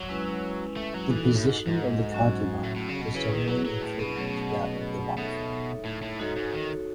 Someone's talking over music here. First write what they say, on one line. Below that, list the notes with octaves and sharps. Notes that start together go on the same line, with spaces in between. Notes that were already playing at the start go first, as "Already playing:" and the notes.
The position of the concubine was generally inferior to that of the wife.
Already playing: F#3
G#3 C#4 E4 B4
A3
F#3
E3 D#4 F#4 A4
A2
G#2
G#2
F#3 C#4 F#4
A2
A2
C#3
B2
C#3 E4 G#4 B4
D#3
F#3
F#3
A2
B2
F#3 A3 C#4 G#4 C#5
B2 D#4 A4 C#5 E5
A2
A2
G#2 D#4 F#4 A4 C#5
G#2
D#3